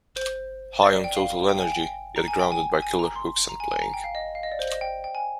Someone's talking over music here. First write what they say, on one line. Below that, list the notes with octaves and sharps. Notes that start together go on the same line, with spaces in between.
High on total energy yet grounded by killer hooks and playing.
C5
D5
G5
F5
G5
G#5
G5
G5
A#5
G#5
G5
G#5
G#5
A#5
C6
A#5
G#5
G#5
A#5
G5
F5
D#5
F5
D#5
D5
C5
D#5
G5
G5
G#5